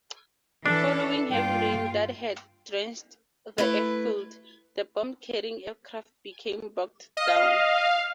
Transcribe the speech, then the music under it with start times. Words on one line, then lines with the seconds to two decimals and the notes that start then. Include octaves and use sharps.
Following heavy rain that had drenched the airfield, the bomb-carrying aircraft became bogged down.
0.66 E3 D4 A4
1.30 G2 A#3 F4 G5
3.58 A3 E4 B4
7.17 D#5 F5